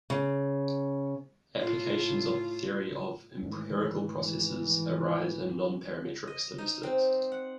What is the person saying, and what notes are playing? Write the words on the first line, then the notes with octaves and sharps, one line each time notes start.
Applications of the theory of empirical processes arise in non-parametric statistics.
C#3
A2 F4
G#2 D#3 E3 A3
D#5
D#4
C4
F#5